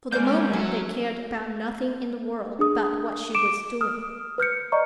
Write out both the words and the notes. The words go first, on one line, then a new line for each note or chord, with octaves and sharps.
For the moment they cared about nothing in the world but what she was doing.
G#3 A#3 C#4 D5 G6
F#3 A4
D4 G#4 D#6
D6 D7 E7
D#6 F6
B4 F6 G6 C#7
D5 D#5 A#5 C#6